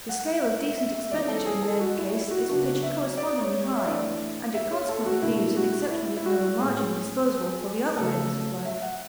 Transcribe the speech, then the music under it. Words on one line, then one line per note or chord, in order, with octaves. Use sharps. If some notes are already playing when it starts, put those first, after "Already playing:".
The scale of decent expenditure in their case is pitched correspondingly high, and it consequently leaves an exceptionally narrow margin disposable for the other ends of life.
F#5
E5
E5
E5
E5
E3 G#3 C#4 D5
A4
G#4
A4
F#4
E4
E4
F#4
C#3 F#3 B3 D4 F#4
E5
D5
C#5
C#5
E5
E3 A3 D4 D5
E5
C#5
A4
F#4
B2 A3 D4 E4
F#4
E4
E4
F#4
A2 G#3 C#4 G#4
C#3 F#3 A3 A4
E5
F#5